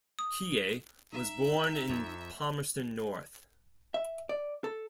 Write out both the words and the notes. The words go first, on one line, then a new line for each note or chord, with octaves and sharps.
Keay was born in Palmerston North.
D#6
D#4 E5 A#5
F2
E5
D5
A4